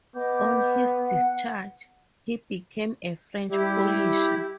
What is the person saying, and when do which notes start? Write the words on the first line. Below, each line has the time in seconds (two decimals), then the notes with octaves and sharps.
On his discharge, he became a French polisher.
0.15 B3 D#5 D6 G6
1.05 F#5
3.52 G3 E4 G4